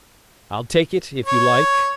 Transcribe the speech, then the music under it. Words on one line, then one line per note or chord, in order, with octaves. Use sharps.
"I'll take it, if you like."
C#5